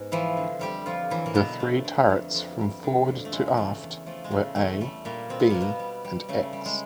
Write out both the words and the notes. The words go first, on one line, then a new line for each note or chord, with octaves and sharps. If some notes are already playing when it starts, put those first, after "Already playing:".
The three turrets from forward to aft were "A", "B" and "X".
Already playing: G#2 B3
E3 F3 E4
D3
F2 G3 G4
F2 F3 F4
E3 F#3 E4
A#3
B2 D3 B3
F2 A3
D3
F2
F2
G3
D3
F2
A3
C#3 G#3
A#3
E2 A3
E2
F3 A3
G#3
C#3 A3
E2 A3
G3 A3
A#2 G3 A#3
B2 C4
B3
B2 A#3
B2 B3
G3
G3
C#3 A3
G3
G#3